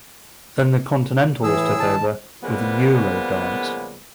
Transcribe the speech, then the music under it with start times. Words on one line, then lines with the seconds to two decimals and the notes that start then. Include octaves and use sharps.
Then the continentals took over with "Euro Dance".
1.43 A2 E3 G#4 E6
1.80 D#3 A5
2.43 C#3 F3 G3 G#3 A#3 B3